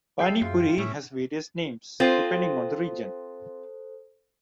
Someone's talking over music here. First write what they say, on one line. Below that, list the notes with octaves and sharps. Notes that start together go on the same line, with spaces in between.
Panipuri has various names, depending on the region.
F#3 G#4 A4 E5 G5 G6 C7
F#2 F4
A2 C#4 E5
C4 F4 A4 C5